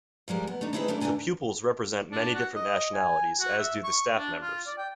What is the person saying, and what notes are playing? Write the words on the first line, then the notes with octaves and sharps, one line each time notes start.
The pupils represent many different nationalities, as do the staff members.
F3 G3 G#3 A#4
B3
A3 D4 D#4
C4 D#4 E4 G#4 A4 B4
C#3 A3 A#3 C4 D4 E4
D3 A3 B3 D4 G#5 A#5
D4
F#4
D#5
G#5
F#4
E5
C#6
D4
F4
D5
G5